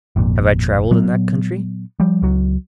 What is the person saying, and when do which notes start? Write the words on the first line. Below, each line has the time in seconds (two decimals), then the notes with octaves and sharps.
Have I travelled in that country?
0.16 G#1 F2 A#2
0.91 A#2 F#3 B3
2.00 F3 G3
2.22 C#2 F#3